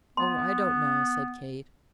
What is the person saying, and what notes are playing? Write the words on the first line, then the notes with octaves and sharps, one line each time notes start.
"Oh, I don't know," said Kate.
B3 C6